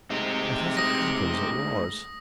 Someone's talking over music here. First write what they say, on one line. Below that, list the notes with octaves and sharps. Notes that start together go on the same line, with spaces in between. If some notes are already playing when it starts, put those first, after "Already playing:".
But as it happens, it was.
G#3 A3 C4 D#4 G4
D#6 A#6